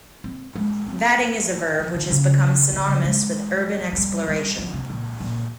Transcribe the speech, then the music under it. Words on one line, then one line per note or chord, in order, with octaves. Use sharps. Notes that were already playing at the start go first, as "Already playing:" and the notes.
Vadding is a verb which has become synonymous with urban exploration.
C4
G#3
C4
F3
D#3
C#3
C#3
C#3
G#3
F3
G3
G3
F3
C3
A#2
A#2